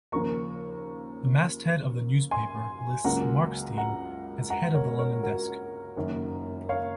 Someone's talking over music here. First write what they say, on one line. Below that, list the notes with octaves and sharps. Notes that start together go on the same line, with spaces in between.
The masthead of the newspaper lists Markstein as head of the London desk.
D#2 C#3 F3 A#3 A#5 C#6
G#5 C6
C#2 C#3 F#3 A#3 F#5 A#5
F#5 A#5
F#5 A#5
A#4 C#5
A#4 C#5
F#4 A#4
F#1 F#2 D#3 A#3
C#5 F5